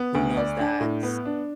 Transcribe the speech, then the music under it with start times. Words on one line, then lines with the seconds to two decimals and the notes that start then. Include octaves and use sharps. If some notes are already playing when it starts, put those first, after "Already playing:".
who knows that
Already playing: B3
0.15 D2
0.37 D5
0.59 D4
0.80 A2
1.03 B3
1.25 D4